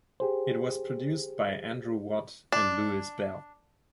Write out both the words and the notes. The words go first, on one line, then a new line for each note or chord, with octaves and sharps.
It was produced by Andrew Watt and Louis Bell.
G4 G#4 C5
D4